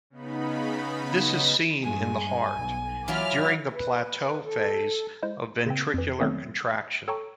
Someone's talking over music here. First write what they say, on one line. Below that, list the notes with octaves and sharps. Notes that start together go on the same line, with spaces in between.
This is seen in the heart, during the plateau phase of ventricular contraction.
C#3 B3 D#4 B5
G2 G#3 G#5
B1
E3 F#3 F4 B5 D6 F6
B4
A4
G#3 E4 C5
C#3 C4
F2 E3
D#3 F#3 G3 A3 B3 C4
A4 C#5 G5 A5 A#5 C#6